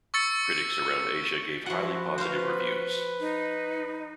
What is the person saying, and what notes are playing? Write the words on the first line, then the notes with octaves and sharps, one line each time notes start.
Critics around Asia gave highly positive reviews.
C#6 E6 A6 C#7
F3 E4 F#4 F#5
B4 C5 F5
D#4